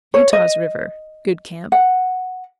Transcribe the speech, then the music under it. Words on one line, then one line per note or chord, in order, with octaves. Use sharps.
Utah's River.--Good camp.
C#5
D#5
F#5